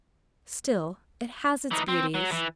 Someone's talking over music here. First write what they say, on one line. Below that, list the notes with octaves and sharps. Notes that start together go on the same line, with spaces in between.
Still it has its beauties.
E3 D#4
C4
F#3
E3